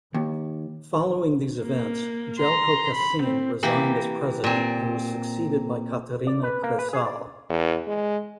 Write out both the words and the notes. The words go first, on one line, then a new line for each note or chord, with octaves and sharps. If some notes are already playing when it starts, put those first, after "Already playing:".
Following these events, Jelko Kacin resigned as President and was succeeded by Katarina Kresal.
D#2
A#3
A#5 C6
B5
C4
E3 A#3 G4
A#2 C4
D5
B4
A#3
B4
G#4
D5
E2
G#3